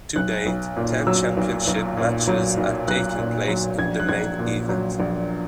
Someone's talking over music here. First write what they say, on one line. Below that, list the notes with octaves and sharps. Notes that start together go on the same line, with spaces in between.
To date, ten championship matches have taken place in the main event.
B1 F#6
B1
A#2
F#3 E6
B1
B1
A#2
F#3
B1
B1 F#6
A#2
F#3
A#1 G#6
F#6
A#1 G#6
A#2
F#3
A#1